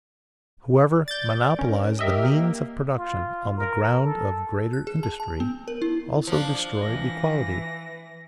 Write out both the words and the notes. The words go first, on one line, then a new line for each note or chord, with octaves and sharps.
Whoever monopolized the means of production on the ground of greater industry, also destroyed equality.
D5 G6 A6
C#4 A#4
G4 A#4 D#5 E5
A#3
F4
A#4
A4
F#6
G#4
A5
A5
B3
A#4
E4
F3 D4
E3 A#6